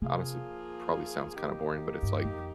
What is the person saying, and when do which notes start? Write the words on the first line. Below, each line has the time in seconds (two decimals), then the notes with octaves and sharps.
honestly, probably sounds kinda boring, but it's, like
0.02 C3 F3 A#3 F4 G#4
1.35 D#3 A#3 D#4 G4
2.03 G2
2.25 F2